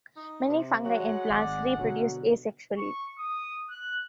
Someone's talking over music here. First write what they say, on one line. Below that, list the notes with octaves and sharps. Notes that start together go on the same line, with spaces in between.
Many fungi and plants reproduce asexually.
D#4
C3
F#3 G#3 F#5
G#1 D5
B2 D3 F#3
C#6
D#6
F#6